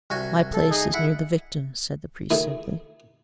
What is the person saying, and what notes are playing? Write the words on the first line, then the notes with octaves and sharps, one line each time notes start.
"My place is near the victims," said the priest, simply.
C2 F#4 G#5
A4
D#4 G#4
E4 F#5
D#3 A3 G#4